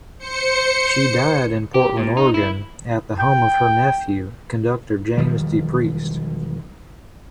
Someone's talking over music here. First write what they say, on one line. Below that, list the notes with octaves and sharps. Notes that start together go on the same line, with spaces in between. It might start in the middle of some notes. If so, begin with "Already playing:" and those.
She died in Portland, Oregon, at the home of her nephew, conductor James DePreist.
C5 C#7
G4
A#2
D#4
E4
G5
E1 D#3 F3 G3